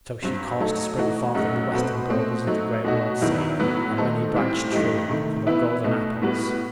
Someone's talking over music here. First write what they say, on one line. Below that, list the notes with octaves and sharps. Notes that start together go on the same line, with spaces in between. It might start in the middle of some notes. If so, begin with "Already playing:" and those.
So she caused to spring forth on the western borders of the great world-sea a many-branched tree full of golden apples.
G2 F#3 C4
F#3 A3 D#4 A4
E3 A3 D#4 F#4
F#2 F#3 A3 D#4 F#4
B2 A3 C4 F#4 B4
B2 A3 C4
F#3 A3 D#4
B2 A3 D#4 F#4
E2 D#3 F#3 B3 E4
A2 F#3 B3 F#4 B4
D#3 A3 D#4 A4 C5
A2 G3 C4
G2 E3 A3 D#4 G4
C3 D#3 A3
E3 B3 E4 B4 E5
B2 A3 D#4
A2 G3 B3 F#4 B4